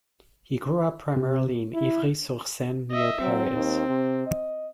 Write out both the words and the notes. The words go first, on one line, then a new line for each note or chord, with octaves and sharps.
He grew up primarily in Ivry-sur-Seine near Paris.
C3
E4
D#5 E5
F#3 C4
D#2
C3
D#5